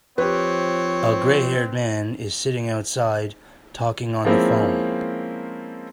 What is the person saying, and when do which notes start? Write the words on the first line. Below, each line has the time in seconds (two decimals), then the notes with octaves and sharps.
A grayhaired man is sitting outside talking on the phone.
0.18 F3 C4 G4 B4 C#5
4.25 F3 G#3 A#3 C4 C#4 E4